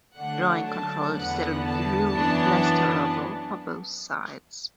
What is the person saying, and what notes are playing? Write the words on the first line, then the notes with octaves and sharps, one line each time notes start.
Joint control steadily grew less tolerable for both sides.
D3 F#3 A3 D4 F#5
A5
E2 D3 B3 F#5
A5
F#2 E3 B3 D4